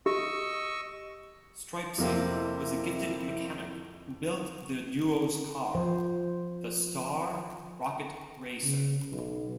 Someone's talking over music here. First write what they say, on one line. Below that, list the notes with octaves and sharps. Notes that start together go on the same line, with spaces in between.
Stripesy was a gifted mechanic who built the duo's car, the Star Rocket Racer.
G4 D#5 C#6 E6
F2 C3 A#3 C4 E4
F3 C5
C#3
B1